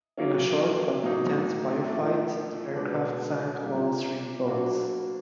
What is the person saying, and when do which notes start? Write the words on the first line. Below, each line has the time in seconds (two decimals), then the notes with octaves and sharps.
In a short but intense firefight, the aircraft sank all three boats.
0.17 F#3 A#3 C#4
1.03 A2 F#3 A#3 D#4
1.89 A#2 F3 A3 D4
2.76 B2 G#3 B3 D4
3.62 A#2 G3 A#3
4.48 F#3 A#3 D4 F#4